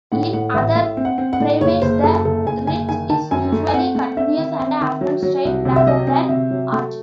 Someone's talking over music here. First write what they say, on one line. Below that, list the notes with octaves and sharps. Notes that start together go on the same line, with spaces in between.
In other primates, the ridge is usually continuous and often straight rather than arched.
A2 F#5
A2 F#5
A1 E5
A2 E5
C4
F#5
C4
F#5
A2
F#1 C#5
F#1 C5
F#2 A4
F#1 A4
F#1 G#5
F#1 G#5
D#3 G#5
D#3 A5
F#2 G#5
A3
G#5
C4 F#5
A3
C4 E5
D#3
C4
D#3
F#3
F#3
C2
C3
E5
F#3 D#5
C4
C3 E5
F#3
A3